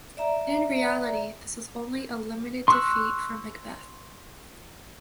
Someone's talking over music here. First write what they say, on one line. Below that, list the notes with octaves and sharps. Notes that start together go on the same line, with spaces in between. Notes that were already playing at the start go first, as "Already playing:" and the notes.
In reality this was only a limited defeat for Macbeth.
D5 E5 A#5
C6 C#6 D#6 E6 F#6